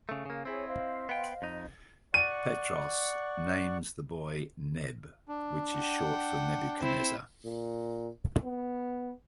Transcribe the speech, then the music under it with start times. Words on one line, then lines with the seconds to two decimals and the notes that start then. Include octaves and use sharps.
Petros names the boy Neb, which is short for Nebuchadnezzar.
0.09 C#3 A3
0.26 C#3 A#3
0.45 C4 E4 G#4 C#5
0.67 C5 D#5 F5
1.09 B3 G5
1.42 F2 D#4
2.14 D5 F#5 C#6 D#7
5.28 D4
5.77 F#5 G5
6.80 C4 E4
7.45 A#2
8.44 B3